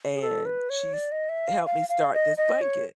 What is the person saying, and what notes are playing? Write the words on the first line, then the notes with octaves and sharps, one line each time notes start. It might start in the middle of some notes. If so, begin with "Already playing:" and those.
and she's helped me start this blanket,
G#4
A4
B4
C#5
D5
D#5
E5
F5
F5
F5
D#5
D#5
C#5